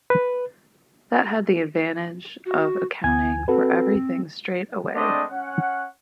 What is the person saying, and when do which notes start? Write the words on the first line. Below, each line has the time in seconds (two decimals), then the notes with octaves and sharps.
That had the advantage of accounting for everything straight away.
0.10 B4
2.46 F#4
3.04 D2 B3 G#5 G#6
3.48 C4 F#4 A4 B4
4.95 G#3 A3 C4 D4 D5 D#5
5.30 C#4 F#5